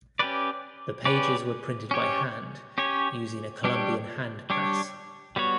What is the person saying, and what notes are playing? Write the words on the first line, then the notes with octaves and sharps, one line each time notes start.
The pages were printed by hand using a Columbian hand press.
C#4 G4 B4 D5
C#4 G4 B4 D5
C#4 G4 C#5
C#4 G4 C#5
G3 D4 G4 C#5
G3 D4 G4 C#5
G3 B3 F#4 C#5